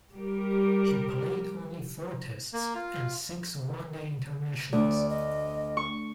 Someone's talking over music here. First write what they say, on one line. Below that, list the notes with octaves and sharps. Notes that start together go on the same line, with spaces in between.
He played only four Tests and six One Day Internationals.
G3 G4 A#4
A#3
F4
D2 D5
D#5
C#6